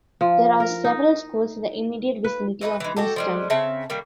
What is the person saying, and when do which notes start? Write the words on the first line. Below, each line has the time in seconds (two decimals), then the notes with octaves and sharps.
There are several schools in the immediate vicinity of Nesttun.
0.21 F3
0.60 A#4
0.84 D#4
2.24 B4
2.61 E3 D#4 F4 B4
2.80 E3 G#3
2.97 F#4 G4 A4
3.16 F3 G3 G#3
3.50 C#3 C4 E5 A5
3.90 D#3 G3 A#3